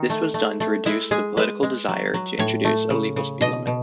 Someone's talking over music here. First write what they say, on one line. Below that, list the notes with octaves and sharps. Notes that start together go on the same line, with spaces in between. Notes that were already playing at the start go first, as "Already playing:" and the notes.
This was done to reduce the political desire to introduce a legal speed limit.
Already playing: D#3 D#4
A3
A3
A3
G#3 E4
G#3 G#4
G#3 B4
G#3
F#3
F#3
A2 C#5
A3
C#3
C#3
B2 D#5
B2